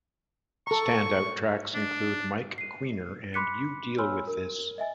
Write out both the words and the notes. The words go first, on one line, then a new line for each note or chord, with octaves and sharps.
Standout tracks included "Mike", "Queener" and "You Deal With This".
A4 A#5 C#6
D4
C7 D#7
B5 C6 D6 F#6 B6 C#7
C#5 G#5 B5 C6 E6 F6
A#4
D#5 E5 G#5 A6